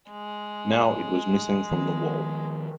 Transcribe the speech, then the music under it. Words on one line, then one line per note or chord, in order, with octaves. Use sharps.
Now it was missing from the wall.
G#3
D#3 F3 B3